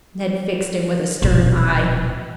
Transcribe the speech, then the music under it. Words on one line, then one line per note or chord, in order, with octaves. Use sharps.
Ned fixed him with a stern eye.
D#1 B2